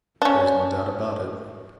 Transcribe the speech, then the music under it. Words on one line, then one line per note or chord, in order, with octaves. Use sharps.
There's no doubt about it.
C#4 D4